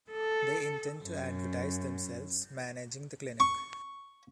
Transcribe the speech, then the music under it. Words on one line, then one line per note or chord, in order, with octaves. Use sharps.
They intend to advertise themselves managing the clinic.
A4
F#2
C#6